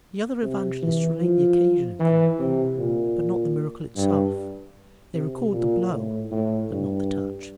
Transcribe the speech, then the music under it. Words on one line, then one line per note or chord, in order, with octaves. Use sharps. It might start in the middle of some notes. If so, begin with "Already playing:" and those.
The other evangelists relate the occasion of the miracle, but not the miracle itself; they record the blow, but not the touch.
C3
E3
F3
E3
C3
A#2
G2
C3
A#2
A2
A2
G2